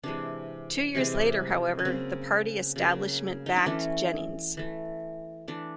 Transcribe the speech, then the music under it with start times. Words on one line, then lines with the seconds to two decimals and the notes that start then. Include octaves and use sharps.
Two years later, however, the party establishment backed Jennings.
0.03 C3 E3 G#3 D4
0.95 C3 E3 G#3
1.79 C#4
1.85 C#3 F#3 A#3 C4
2.76 C#3 F#3 A#3
3.46 D#4
3.56 D4
3.66 E3 A3 C#4
4.57 E3 A3
5.48 E3 A3 D4